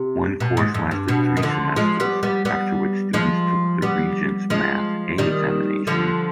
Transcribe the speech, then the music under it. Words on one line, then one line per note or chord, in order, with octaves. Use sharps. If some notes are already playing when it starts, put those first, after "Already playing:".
One course lasted three semesters, after which students took the Regents Math A Examination.
Already playing: C3
B2
G#2
F2
G2
B2
D#3
D3 F3
F3 G#3
G3 B3
G3 B3
G3 B3
F3 G#3
G3 B3
F3 G#3
D#3 G3
D3 F3